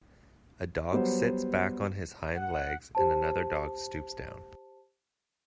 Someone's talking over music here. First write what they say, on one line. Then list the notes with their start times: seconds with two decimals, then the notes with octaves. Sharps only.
A dog sits back on his hind legs and another dog stoops down.
0.92 F#3 G3 B3 C5
2.37 F#5
2.95 G4 C5 A5